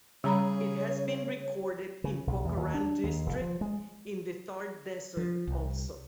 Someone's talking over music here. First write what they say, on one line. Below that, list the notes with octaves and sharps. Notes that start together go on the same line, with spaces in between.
It has been recorded in Pokaran district in the Thar desert also.
C#3 G3 G#4 C#5 A#5 B5
C#3
B1
E2
D#2
D4
D#2
F1
F3
G#3
F3
C2